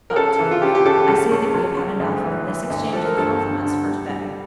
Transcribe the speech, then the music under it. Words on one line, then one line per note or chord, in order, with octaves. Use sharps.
But I say that we have had enough of this exchange of compliments for to-day.
A#4
C#3 A4
E3
F4
C#3 G4
G4
C#3 A4
C#2
C#2
C#2
C#2
D2
E3
E3
D2
F3 A4
A#4
G2 A4
G2
D3
G3
G3